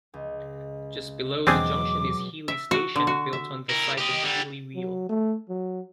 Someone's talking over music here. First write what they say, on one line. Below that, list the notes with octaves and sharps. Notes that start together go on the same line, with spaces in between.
Just below the junction is Heeley Station, built on the site of Heeley Wheel.
C#2
E2 B2 F#3 G#3 C4 D4 G#4 D6
E5
F#4
D3
F#4
E5
E4 A#4
G4 D#5
D3 G3
F#3
A3
F#3